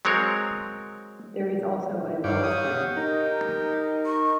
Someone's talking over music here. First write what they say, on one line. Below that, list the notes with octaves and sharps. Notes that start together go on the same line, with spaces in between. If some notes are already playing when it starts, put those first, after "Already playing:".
There is also a well spring.
F#3 G#3 C4 A#4 C#5
G2 G4 C#5 D5 F5 F#5
G4 D#6
D#4 A#4
C#6